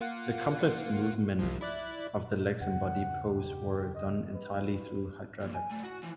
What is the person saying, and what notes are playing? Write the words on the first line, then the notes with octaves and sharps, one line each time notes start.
The complex movements of the legs and body pose were done entirely through hydraulics.
A#3 F4 F#5
C2 C3 F3
E4 D5 F#6
E2 G2 C#3 F#5
G4
D#5
B4
F2 A#2
G#5
C#2 A3
F#4
E3 F3